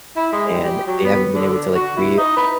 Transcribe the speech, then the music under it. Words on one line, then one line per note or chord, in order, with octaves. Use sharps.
and they haven't been able to, like, real
E4
G#3
G3
G4
F#3
B3
D3
F#4
E4
D#4
B4